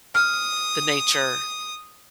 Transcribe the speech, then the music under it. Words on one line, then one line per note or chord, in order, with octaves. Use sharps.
the nature
D#6 F6